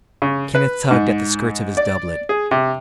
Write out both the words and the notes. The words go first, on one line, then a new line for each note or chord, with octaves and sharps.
Kenneth tugged at the skirts of his doublet.
C#3
B4
G#2
D5
G#4
C3